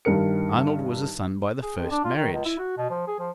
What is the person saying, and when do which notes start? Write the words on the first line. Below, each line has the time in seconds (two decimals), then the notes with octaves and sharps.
Arnold was a son by the first marriage.
0.05 G2 D#3 A#4 C#7
1.63 G#4
1.77 F2
1.91 D4
2.04 F4
2.16 D#3
2.33 C#2
2.46 E4
2.59 F#4
2.78 B2
2.90 F3
3.08 G#4
3.19 F3